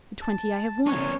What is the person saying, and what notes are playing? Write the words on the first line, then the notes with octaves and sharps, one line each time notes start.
"The twenty I have won."
A5
E2 C#4 C#5